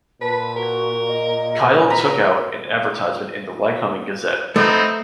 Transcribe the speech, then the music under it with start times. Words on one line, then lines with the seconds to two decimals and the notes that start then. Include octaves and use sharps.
Kyle took out an advertisement in the Lycoming Gazette.
0.21 A#2 B4 A5
0.56 F#4 A#4
1.07 D#5
1.90 B4 A#5
4.56 A3 B3 C4 D#4